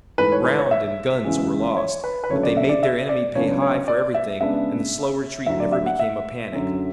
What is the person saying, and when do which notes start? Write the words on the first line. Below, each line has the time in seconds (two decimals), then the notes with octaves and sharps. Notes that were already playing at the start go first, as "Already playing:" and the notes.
Ground and guns were lost, but they made their enemy pay high for everything, and the slow retreat never became a panic.
0.18 G#2 E3 A3 B4
0.32 C#5
0.45 B4
0.58 C#5
0.71 E5
1.24 E2 C#3 E3 G#3
1.77 C#5
2.04 B4
2.24 B4
2.30 D2 C#3 F#3 A3 D4 C#5
2.43 D5
2.57 E5
2.69 D5
2.83 E5
3.09 D5
3.35 C#2 C#3 F#3 B3 D4 C#5
3.62 C#5
3.88 D5
4.14 E5
4.41 C#3 G#3 B3 D4 E5
5.46 D2 D3 F#3 E5
5.60 D5
5.72 E5
5.86 F#5
5.99 E5
6.52 F#2 D3 F#3